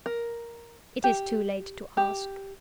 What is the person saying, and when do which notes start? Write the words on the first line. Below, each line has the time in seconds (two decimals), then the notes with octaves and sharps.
It is too late to ask.
0.06 A#4
1.04 G4
1.97 G4